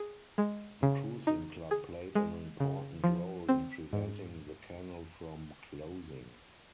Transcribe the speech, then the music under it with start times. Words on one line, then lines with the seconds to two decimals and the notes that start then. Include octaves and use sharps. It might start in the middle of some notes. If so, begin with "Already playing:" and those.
The cruising club played an important role in preventing the canal from closing.
Already playing: G#4
0.38 G#3
0.83 C#3
1.27 D#4
1.71 G#4
2.15 G#3
2.60 C#3
3.04 F3
3.49 C4
3.93 G#2